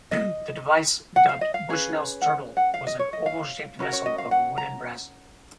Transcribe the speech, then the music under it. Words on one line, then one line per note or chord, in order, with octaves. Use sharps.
The device, dubbed Bushnell's Turtle, was an oval-shaped vessel of wood and brass.
D#5
F#5
F5
D#5
F5
C#4 G#4 B4
F#5
F#5
F5
D#5
C#5
D#5
F5
C#4 F#4 A#4 B4
C#5
D#5
F5
F#5
A#5